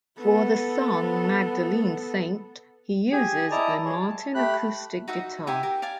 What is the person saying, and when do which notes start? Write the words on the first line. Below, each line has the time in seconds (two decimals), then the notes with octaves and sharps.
For the song, "Magdalene Saint" he uses a Martin acoustic guitar.
0.20 B3 A4
3.12 G4 G#4 G#5
3.51 E4 D5 D#5 A5 A#5
3.85 G#4 C#5
4.00 A5
4.35 A3 G4 B5 F#6
5.08 D#4 F#4 E5 F#5
5.47 D#4 G4 E5 G#5
5.63 G4 A#4
5.82 D5 F5 G#5 A5